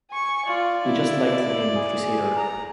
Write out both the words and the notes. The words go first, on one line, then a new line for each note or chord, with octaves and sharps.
We just liked the name "Crusader".
G#5 C#6
F4 D5
E4
G#4
A#5